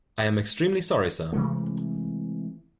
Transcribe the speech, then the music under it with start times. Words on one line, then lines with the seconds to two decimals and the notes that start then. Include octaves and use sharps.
I am extremely sorry, sir.
1.32 C3 E3 G#3 A3